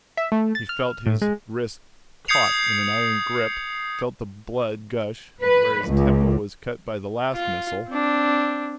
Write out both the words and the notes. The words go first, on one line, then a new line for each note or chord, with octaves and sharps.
He felt his wrist caught in an iron grip, felt the blood gush where his temple was cut by the last missile.
E5
A3
A6
F6
A2
G#3
D#6 G6 G#6 C7 C#7 F7
B4
C#2
F4
C4 D4